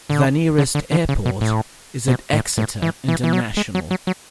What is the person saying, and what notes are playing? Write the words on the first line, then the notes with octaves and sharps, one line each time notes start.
The nearest airport is at Exeter International.
D3
D3
D3
D3
C#3
B2
A2
B2
A2
A2
E3
E3
E3
F#3
G#3
F#3
F#3
F#3